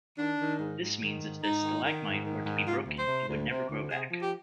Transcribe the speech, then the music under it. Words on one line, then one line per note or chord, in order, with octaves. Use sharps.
This means if the stalagmite were to be broken it would never grow back.
D#3 D4
D#3
G#2
G#2
D#3
G#2
G#2 D#4
D#3
D#3
G#2
D#3
G#2
C3 F4
D2
C5
C3
D2
C3
D2
C3 G#4
F3
G4